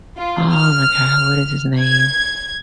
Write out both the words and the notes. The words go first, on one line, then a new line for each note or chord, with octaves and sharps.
Oh, my god, what is his name,
F4
F6
G#6